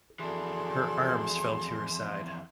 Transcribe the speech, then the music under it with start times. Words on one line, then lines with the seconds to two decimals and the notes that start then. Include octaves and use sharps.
Her arms fell to her side.
0.19 F2 E3 F#4 G#4 A4 D5 C6